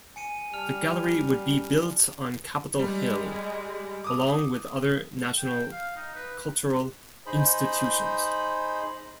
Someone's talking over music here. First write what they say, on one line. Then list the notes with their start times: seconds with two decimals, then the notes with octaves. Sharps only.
The Gallery would be built on Capital Hill, along with other national cultural institutions.
0.16 G#5 C#7 D#7
0.53 G3 A5 F6 F7
2.79 G3 G#3
4.04 D6 D#6
5.38 G5
5.72 F5
5.96 D#4
6.16 B4
7.26 D#4 G#4 C5 B5